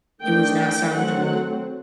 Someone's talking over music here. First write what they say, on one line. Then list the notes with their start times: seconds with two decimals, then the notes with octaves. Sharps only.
it was not salvageable,
0.22 D#3 A3 D4 G5
0.58 G5
0.94 F#3 A3 C4 F#5